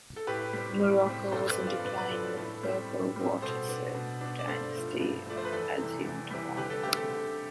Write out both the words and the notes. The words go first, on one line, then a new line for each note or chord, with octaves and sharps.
Morocco was in decline when the Berber Wattasid dynasty assumed power.
A4
A2 G4 B4
G3 C4
A2
G3 C4
G2 A4 C5
B4 D5
F3 C4
D5 F5
G2 B4 D5
B4 D5
F3 C4 A4
A4
A2 A4
G3 C4
A2
G3 C4
B2 A4 C5
B3 D4
B2
B3 D4
D5
G2 A4 C5
F3 A3
G2
F3 A3 D5
C5
B4
E2 A4
C3 E3 G3
E2
C3 E3 G3
D3 G4 B4
A4
A3 C4 G4
A4
D3